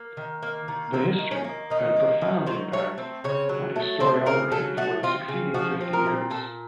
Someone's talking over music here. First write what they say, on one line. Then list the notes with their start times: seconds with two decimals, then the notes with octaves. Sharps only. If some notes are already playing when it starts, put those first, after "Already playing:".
The "History" had a profound impact on historiography for the succeeding fifty years.
Already playing: A#3
0.17 D#3
0.43 A#3
0.68 D#3
0.93 A#3 C4
1.19 D#3
1.31 C#4
1.44 A#3
1.70 D#3 D#4
1.96 A#3
2.22 D#3
2.47 F#3 C5
2.72 A3 C#5
2.98 C4
3.24 C#3 C#5
3.49 F#3
3.76 A3
4.00 C4 C5
4.26 C#3 A#4
4.52 F#3 A4
4.77 A3 F#4
5.03 C4 F4
5.28 C#3
5.54 F3 F#4
5.81 C4
5.93 A#4
6.06 A#2
6.30 A#2 A4